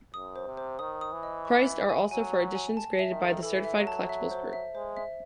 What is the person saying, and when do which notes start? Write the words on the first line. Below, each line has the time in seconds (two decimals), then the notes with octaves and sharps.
Priced are also for editions graded by the Certified Collectibles Group.
0.14 F#2 D#6
0.36 C5
0.47 C3
0.57 C5
0.79 D#3 D#6
1.01 D#6
1.12 E3
1.23 D#5
1.45 C#6
1.67 E5
1.89 G#5
2.11 F#3 G#5
2.33 C#6
2.55 G#5
2.77 A5
2.99 E5
3.10 D#3
3.21 A4
3.43 E3 A4
3.65 E5
3.75 F#3
3.87 A5
4.09 E5
4.31 C5
4.53 E5
4.74 G#3 C5
4.97 E5